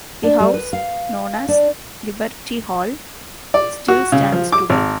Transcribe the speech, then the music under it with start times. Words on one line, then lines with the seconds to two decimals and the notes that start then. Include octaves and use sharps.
The house, known as "Liberty Hall", still stands today.
0.23 D4
0.40 G3
0.54 B4
0.73 F5
1.48 D4
3.54 D5
3.88 F#4
4.12 C#3
4.32 F3
4.52 D6
4.70 G#1